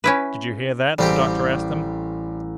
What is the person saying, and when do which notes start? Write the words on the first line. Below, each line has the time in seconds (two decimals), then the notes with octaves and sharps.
"Did you hear that?" the doctor asked them.
0.04 C#4 E4 B4
0.98 A1 G3 C4 G4 G5